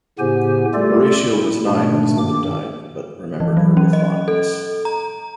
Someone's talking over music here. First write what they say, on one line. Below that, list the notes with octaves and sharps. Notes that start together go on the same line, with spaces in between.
Horatio was nine when his mother died, but remembered her with fondness.
A2 C#3 B3 G4 C5 G#5
G3 A3 F4 G4 A4 D5
E4
G#2 B2 A3 D4
G2 D#3 A#3 D6
E3
F#3
C#4
D#5
A4
A#5